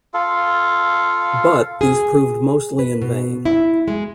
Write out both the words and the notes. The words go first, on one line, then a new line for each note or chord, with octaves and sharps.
But, these proved mostly in vain.
F4 A4 F5
G#4
B4
B2
E4
G#3